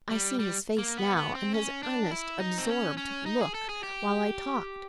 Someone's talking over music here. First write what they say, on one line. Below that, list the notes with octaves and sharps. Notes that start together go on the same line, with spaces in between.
I see his face now, and his earnest absorbed look while I talked.
G3
G3
A#3
B3
B3
C4
C#4
D4
E4
D#4
C4
C#4
C#4
D#4
G#4
A4
G#4
G4